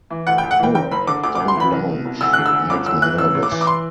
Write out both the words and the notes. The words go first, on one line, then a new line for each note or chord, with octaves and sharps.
No, don't lounge, it makes me nervous.
E3
D2 F#5
G5
D2
F#5
E3 G5
F#1 G5
F#1 B5
D3 D6
D2 D6
D6
D2
C6
E3 B5
C2
B2
C2
D2 E6
F#6
D3
E6
D2
G1 D6
G1 E6
E3 F#6
A1 E6
A1
D6
E3
D6
C6